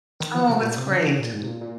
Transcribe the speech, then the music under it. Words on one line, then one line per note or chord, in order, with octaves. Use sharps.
Oh, that's great.
D#3
F3
C3
A#2
C3
C#3
F3
C#3
A#2
G#2
C3
A#2
A#2